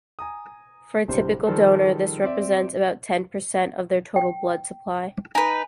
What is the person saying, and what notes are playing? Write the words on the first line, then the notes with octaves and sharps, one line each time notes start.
For a typical donor this represents about ten percent of their total blood supply.
G#5 A#5 D#6
D1 C3 G3 D4 C5
D#3 F3 G3 G#4 A4 C5
C4 D5 E5
G5
D#4 B4 G#5